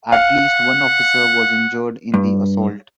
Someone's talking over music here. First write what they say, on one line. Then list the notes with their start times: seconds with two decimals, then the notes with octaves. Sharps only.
At least one officer was injured in the assault.
0.12 F5 F#5
2.14 G2